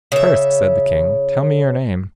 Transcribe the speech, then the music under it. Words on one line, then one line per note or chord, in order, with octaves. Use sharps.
First, said the king, tell me your name.
C#3 E5